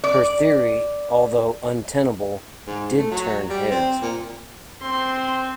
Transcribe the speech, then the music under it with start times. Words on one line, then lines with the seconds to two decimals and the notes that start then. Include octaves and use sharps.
Her theory, although untenable, did turn heads.
0.04 D5
2.67 G#2
2.97 A3
3.11 F#3
3.50 G3
3.71 C4
4.02 A#2
4.82 C4 C6